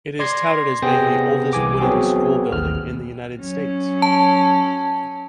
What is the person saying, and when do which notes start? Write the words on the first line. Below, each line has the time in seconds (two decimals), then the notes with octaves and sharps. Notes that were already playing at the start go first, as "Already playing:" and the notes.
It is touted as being the oldest wooden school building in the United States.
0.19 D5 C6 G#6 A#6 C7
0.82 C3 B3 C4 G#4 G5 A#6
1.53 C2 E3 G#5 D6
1.80 F#3 B3 C4 F#4 G#4
2.51 A1 D#2 F6
3.39 F#3 C#4
4.02 A5